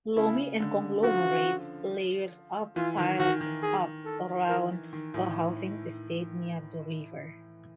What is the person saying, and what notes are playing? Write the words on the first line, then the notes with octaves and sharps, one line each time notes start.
Loamy and conglomerate layers are piled up around a housing estate near the river.
C#3 E4
D3
F3 F#4
E3 F4
D#3
D#3 F#4
D#3
G#4
A4
E3 A#4
D#3
A2